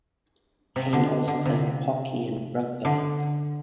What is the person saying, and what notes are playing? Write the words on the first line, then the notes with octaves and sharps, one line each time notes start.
Heyn also played hockey and rugby.
C3
D3
D3
C3
D3